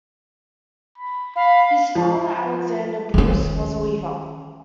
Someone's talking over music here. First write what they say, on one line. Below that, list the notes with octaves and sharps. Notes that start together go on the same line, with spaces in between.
His father, Alexander Bruce, was a weaver.
B5
F5 B5
F3
D#3 C#4